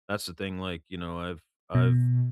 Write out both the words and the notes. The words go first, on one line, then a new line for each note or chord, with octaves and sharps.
that's the thing, like, you know, I've I've
B2